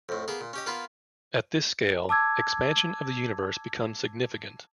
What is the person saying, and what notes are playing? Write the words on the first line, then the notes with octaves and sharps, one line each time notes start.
At this scale, expansion of the universe becomes significant.
F2 A2
A#3 B3 G#4
A#2
C#4 G4 D#5
A#3 B3 F4 B4
A5 D6 E6 G#6